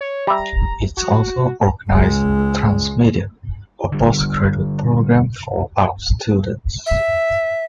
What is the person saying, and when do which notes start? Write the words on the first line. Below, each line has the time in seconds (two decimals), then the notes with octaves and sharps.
It also organizes Transmedia, a postgraduate programme for art students.
0.01 C#5
0.27 G3 E5 A#5
0.97 F#4
1.90 C#2 G#3
3.92 D3 G3
6.86 E5